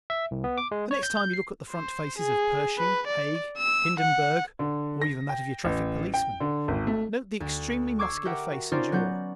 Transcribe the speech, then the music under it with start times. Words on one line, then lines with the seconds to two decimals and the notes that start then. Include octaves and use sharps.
The next time you look at the front faces of Pershing, Haig, Hindenberg or even that of your traffic policeman, note the extremely muscular face and jaw.
0.10 E5
0.31 C2
0.44 B3
0.58 D6
0.71 G#3
0.91 C#5
1.03 G6
1.17 G6
1.33 C7
1.71 C5
2.18 G#4
2.78 B4
3.07 D5
3.58 E6
3.99 F#5
4.59 D3
5.02 A#6
5.29 G5
5.64 A1
6.14 G5
6.40 D3
6.68 G#1
6.87 A3
7.40 D2
7.99 C#6 D6 E6 G#6 C7
8.25 G4 A#4 E5 F#5 G5
8.52 F#4
8.72 C#4 D#4 F4 G4 C5 D5
8.92 F#3 B3 F#5 G6